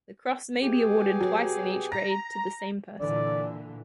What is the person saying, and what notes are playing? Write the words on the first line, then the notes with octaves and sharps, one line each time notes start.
The cross may be awarded twice in each grade to the same person.
B2 G4 G#4
F#3
A#5 A#6
A#2 D3 E3 D5